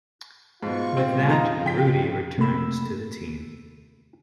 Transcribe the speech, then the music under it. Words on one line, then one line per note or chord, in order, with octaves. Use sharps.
With that, Rudy returns to the team.
G#2 B2 F4 C#6
A#2 G3 B3 C4
F2 C#3 F3 G#3 D#4 A#5
G5 B6
C3 A3 A#3 B5 E6